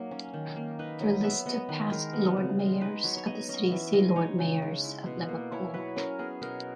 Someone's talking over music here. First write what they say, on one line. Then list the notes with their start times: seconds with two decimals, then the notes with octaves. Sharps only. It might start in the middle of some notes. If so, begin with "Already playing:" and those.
For list of past Lord Mayors of the city see Lord Mayors of Liverpool.
Already playing: F#3 A#3 D#4
0.11 C#4
0.34 D#3
0.56 A#3
0.79 D#4 B4
1.01 F#3 D#5
1.24 B3 E5
1.46 B3 D#5
1.69 D#3 B4
1.92 G#3 A#4
2.13 B3
2.37 C#3
2.59 G#3
2.81 D#4 B4
3.04 F#3 C#5
3.17 C#5
3.26 B3 D#5
3.49 C#4 D#5
3.71 E3 E5
3.93 G#3 D#5
4.16 D#4 C#5
4.39 C#3
4.62 G#3
4.84 E4
5.06 B2
5.28 A#3
5.52 E4 C#5
5.74 F#3 B4
5.96 C#4 A#4
6.19 B3 G#4
6.42 B2 A#4